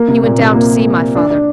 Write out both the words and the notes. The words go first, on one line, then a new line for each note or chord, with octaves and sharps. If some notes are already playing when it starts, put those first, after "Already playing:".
He went down to see my father.
Already playing: A#3
C3
A#2
C3
A#3
D4
D4